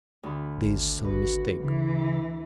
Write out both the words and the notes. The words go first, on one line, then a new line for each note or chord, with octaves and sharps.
"There is some mistake."
D2 B5
G#1
G#1 F#4 B4
C#3 E3